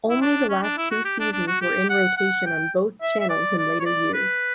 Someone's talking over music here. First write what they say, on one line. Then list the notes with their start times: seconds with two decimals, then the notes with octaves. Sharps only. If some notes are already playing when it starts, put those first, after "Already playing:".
Only the last two seasons were in rotation on both channels in later years.
0.10 E4
0.21 D4
0.49 C#4
0.63 D4
0.77 E4
0.91 F#4
1.05 G4
1.20 D4
1.33 D4
1.47 F#4
1.61 G4
1.89 F#5
2.17 F#5
2.46 G5
3.02 E5
3.20 E5
3.29 D5
3.58 D5
3.80 C#5
3.85 D5
4.14 B4